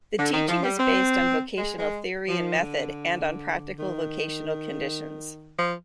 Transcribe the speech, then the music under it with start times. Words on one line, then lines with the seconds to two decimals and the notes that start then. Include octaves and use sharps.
The teaching is based on vocational theory and method and on practical vocational conditions.
0.19 D3
0.33 D#3
0.48 F3
0.63 G3
0.78 C4
1.58 G#3
1.78 G#3
2.28 F3
2.59 D3
3.78 D#3
5.58 F3